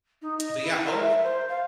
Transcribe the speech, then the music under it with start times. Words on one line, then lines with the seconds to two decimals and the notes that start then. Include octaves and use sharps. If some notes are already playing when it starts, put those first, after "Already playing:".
But, yeah, oh
0.22 D#4
0.38 D#5
0.62 E4
0.86 A#4
1.01 E5
1.23 C5
1.49 F5